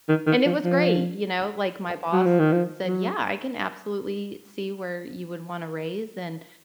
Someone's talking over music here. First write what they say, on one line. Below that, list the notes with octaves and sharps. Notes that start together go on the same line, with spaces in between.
And it was great, you know, like, my boss said, "Yeah. I can absolutely see where you would want a raise, and,
D#3
D#3
F3
F3
F#3
F3
D#3
F3
F#3